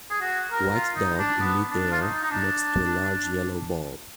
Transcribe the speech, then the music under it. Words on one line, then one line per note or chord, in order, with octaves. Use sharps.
White dog in midair next to a large yellow ball.
G#4
F#4
A#4
F4
D#4
D4
B3
D4
F4
D#4
D#4
D4